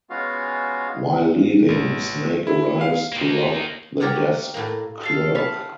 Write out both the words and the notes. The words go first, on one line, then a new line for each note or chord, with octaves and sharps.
While leaving, Snake arrives to rob the desk clerk.
G#3 B3 C#4 F4 F#4 F5
A1
E4
F5
A#3 D#4
G4 A#4 C#5 D5 F#5
A2 A#3
A4 F5
F5 A5 B5